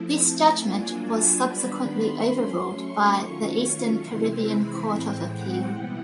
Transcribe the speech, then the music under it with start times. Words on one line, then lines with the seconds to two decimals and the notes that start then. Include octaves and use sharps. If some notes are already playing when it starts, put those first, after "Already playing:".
This judgement was subsequently over-ruled by the Eastern Caribbean Court of Appeal.
Already playing: F3 A3 C4 E4
0.15 A5
0.57 F#3 A#3 D4 F4 G#5
1.01 A5
1.43 D#3 G3 B3 D4 B5
1.86 C6
2.29 F#3 A3 C#4 C6
2.72 C#6
3.14 D#3 F#3 A3 C#4 F4 C#6
4.00 C3 E3 G#3 C4 E4 C6
4.43 B5
4.86 A2 E3 G#3 C4 G5
5.29 F#5
5.72 B2 G3 B3 E4 F#5